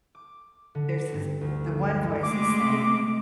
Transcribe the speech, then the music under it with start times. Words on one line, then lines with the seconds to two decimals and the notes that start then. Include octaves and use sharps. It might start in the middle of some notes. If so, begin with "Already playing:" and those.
There's this the one voice is saying,
0.15 D6
0.75 D3
1.14 G2
1.41 D2
2.23 G#3 A3 D6